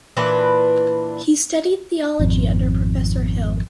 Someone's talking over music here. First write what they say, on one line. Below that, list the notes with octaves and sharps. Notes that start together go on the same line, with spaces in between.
He studied theology under Professor Hill.
A#2 E3 D4 B4
G#1 F2